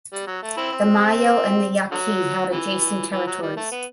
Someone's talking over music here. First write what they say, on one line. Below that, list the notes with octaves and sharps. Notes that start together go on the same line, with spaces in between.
The Mayo and the Yaqui held adjacent territories.
G3
F#3
A3
C4 E4
C4
D3 F#3
C3 E3
E3
F#3
G3
A3
B3